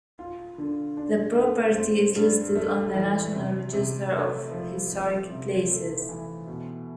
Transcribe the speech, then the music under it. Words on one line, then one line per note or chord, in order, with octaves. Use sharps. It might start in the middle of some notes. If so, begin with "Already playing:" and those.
The property is listed on the National Register of Historic Places.
F4
D3
D4
A3
C4
G2
A3
E3
C3
C3
A3
F3
C4
C3
A3
E3
B2